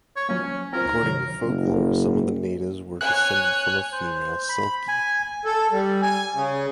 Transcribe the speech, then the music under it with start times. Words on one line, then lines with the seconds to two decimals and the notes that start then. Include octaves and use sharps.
According to folklore, some of the natives were descended from a female selkie.
0.16 C#5
0.29 F3 F#3 A#3 C#4
0.73 C4 F4 A#4 C5
0.85 D2 D#4
1.03 C3 D#3 F#3
1.42 F#1
3.01 C#5 G#5 F#6
3.92 C5
4.49 B5
4.88 G#5
5.45 A4
5.72 G3
6.02 G#5
6.35 C#3